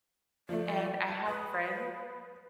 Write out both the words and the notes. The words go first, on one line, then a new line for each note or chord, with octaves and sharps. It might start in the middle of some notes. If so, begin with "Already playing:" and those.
and I have friends
F3 A3 D5
A5
B4 D#6 F#6